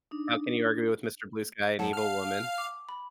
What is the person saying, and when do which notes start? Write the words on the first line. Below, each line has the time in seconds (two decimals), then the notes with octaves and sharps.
How can you argue with Mr. Blue Sky, and Evil Woman?
0.11 D4 D#4
1.79 F#2 F#5 A5
1.93 F5 F6
2.58 D6
2.89 B5